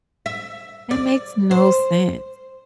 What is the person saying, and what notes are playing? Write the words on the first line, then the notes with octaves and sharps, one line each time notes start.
That makes no sense.
E5
D5
C5